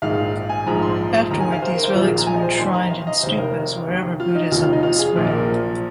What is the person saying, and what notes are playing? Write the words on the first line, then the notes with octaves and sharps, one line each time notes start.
Afterward, these relics were enshrined in stupas wherever Buddhism was spread.
A#1 G#2 D#3 F5
G#5
A#1 G#2 F3 A#5
C6
D#2 D#3 A#5
G#5
F5
C5
A#4
C5
A#1 A#2 F3 F4
G#4
A#5
G#5
D#5
C5
G#5
D#2 D#3 C6
A#5
F5
D#5
F1 D#2 D#3 C5
A#4
D#2 D#3
F4
D#4
F1 D#2 D#3 F4
F4
D#4
F4
G#4
A#1 A#2 F3 F4
A#4